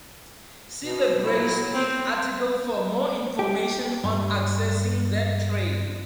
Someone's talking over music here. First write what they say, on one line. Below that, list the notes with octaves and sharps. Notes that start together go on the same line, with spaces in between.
See the Grays Peak article for more information on accessing that trail.
B2
A#2 F#3 E4
C4
G4
G2